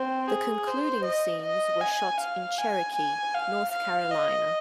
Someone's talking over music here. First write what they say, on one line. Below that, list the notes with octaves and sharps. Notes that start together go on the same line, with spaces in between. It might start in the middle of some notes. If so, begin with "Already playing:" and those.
The concluding scenes were shot in Cherokee, North Carolina.
Already playing: C4
G#4
C5
D#5
D#5
G#5
F5
G#5
G#5
F5
F5
D#5